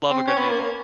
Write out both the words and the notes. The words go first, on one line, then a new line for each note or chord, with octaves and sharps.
Love a good meatball.
C4
C#4
B3
A#3